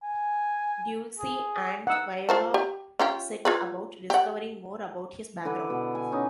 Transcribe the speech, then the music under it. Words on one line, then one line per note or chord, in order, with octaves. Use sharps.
Dulcie and Viola set about discovering more about his background.
G#5
G#4
D#4 F#5 E6
F4 C5 A5
G4
C#4 F4 G4
F4 G#4 B4
G4 F#5
D3 E4 B4 D5
B2
G#5
C#4 D#4